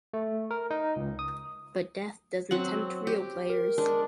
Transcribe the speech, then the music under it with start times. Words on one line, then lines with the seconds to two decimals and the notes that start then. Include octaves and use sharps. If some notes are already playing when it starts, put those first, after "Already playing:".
But death doesn’t tempt real players.
0.14 A3
0.51 A#4
0.71 D#4
0.96 C#2
1.19 D#6
2.51 F#3 C4 F#5
3.07 G4
3.50 A#4
3.78 G#3 D4